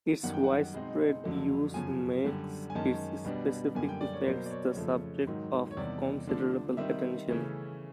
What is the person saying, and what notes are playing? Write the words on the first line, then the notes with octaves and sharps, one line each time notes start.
Its widespread use makes its specific effects the subject of considerable attention.
F#2 D#3 G3 F#5
G5
F#5
B2 G#3 C4 D#4
F2 D3 F#3 A3
F#2 C#3 F3 G#5
F#2 D3 G3
G#5
F#2 D#3 G#3 C#4 A5
B2 G3 B3 D4
F#2 D3 G3 A#3 G#5
G5
D5
C#5
B2 F#3 A#3 C5
D5
C#5
F2 C#3 F3 A3
G#2 D#3 F#3
C#5
E2 C3 D#3 G3 D5
D3 F3 A3 D4
D#3 G3 C4 D#4 E5
C#3 E3 A3 C#4